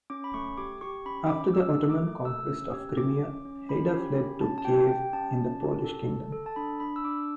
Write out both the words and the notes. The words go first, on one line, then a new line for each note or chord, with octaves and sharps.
After the Ottoman conquest of Crimea, Hayder fled to Kiev in the Polish Kingdom.
C#4 D6
B5
A3 C#6
G4 D6
G4 C#6
C#4 B5
C#4 D6
G4 E6
A3
D6
A3
A3 E6
C#4
G4
C#4 D6
C#4
C#4
C#4 B5
G4
C#4
C#4 A5
A5
G4 G5
G4 G5
C#4 A5
C#4
G4
A4
A4
A4
A5
D4 B5
D4 B5
E6
D4 D6